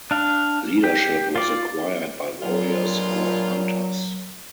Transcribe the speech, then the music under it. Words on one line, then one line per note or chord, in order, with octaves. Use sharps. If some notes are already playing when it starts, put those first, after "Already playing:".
Leadership was acquired by warriors or hunters.
D4 F5
G4
F4 D5
G2 A#2 F#3 G#3 F4